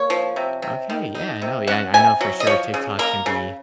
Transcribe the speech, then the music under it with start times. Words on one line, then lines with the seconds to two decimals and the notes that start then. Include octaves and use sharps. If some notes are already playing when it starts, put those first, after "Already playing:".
Okay, yeah, I know, yeah, and I know, for sure, TikTok can be
Already playing: A#3 C#5
0.10 F3
0.36 C3
0.62 C3
0.90 D#3
1.15 D#4
1.42 C3
1.67 C#4 F#5
1.94 C3 G#5
2.21 F#3
2.40 D#5
2.47 F3 C#5
2.74 C#3
2.99 A#3 A#4
3.26 C#3